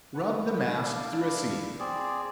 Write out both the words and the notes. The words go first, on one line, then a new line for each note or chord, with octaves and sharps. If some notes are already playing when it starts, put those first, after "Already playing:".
Rub the mass through a sieve.
B4 F#5
D4 E4 D5 F5
C4 G#4 D5